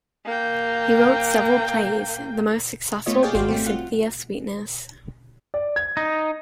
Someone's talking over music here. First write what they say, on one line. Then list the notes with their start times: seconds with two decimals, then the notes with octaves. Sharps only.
He wrote several plays, the most successful being "Cynthia Sweetness".
0.25 A#3 G5
3.06 A3 B3 F4 C#5 D#5
3.23 G4 G#4 C#5 D5 F5 G5
3.35 G#1 F#4 G4 F5 G5 C6
3.48 G3 A3 C4
3.66 F4 F#5
5.54 D5
5.76 G#6
5.97 D#4